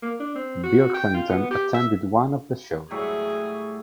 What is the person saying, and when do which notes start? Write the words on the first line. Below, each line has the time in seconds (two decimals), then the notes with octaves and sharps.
Bill Clinton attended one of the shows.
0.02 A#3
0.20 D4
0.36 C4
0.64 F#4
0.95 G5
1.14 F4
1.30 B3
1.51 G4
1.74 E5
2.91 A2 F#3 G3 G#4